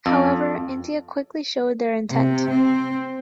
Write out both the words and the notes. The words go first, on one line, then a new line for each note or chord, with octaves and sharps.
However, India quickly showed their intent.
F2
C3
C4